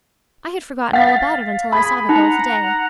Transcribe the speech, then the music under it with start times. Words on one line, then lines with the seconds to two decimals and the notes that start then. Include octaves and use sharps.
I had forgotten all about it until I saw the girl today.
0.93 F5 F#5 A6 B6
1.72 G#4 B5 B6
2.09 D#4 F#5 A#5